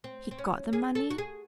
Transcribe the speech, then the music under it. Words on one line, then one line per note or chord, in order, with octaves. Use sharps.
He got the money.
C4
C4
C#4
G#4
A4
F#4
G#4